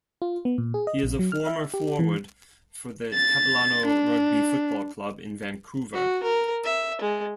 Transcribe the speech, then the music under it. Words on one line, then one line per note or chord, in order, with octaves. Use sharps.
He is a former forward for the Capilano Rugby Football Club in Vancouver.
F4
B3
A#2
G#4
D#5
A#1
F#3
F6
E5
G4
E3
A6
D4
F#4
A#4
E5
G#3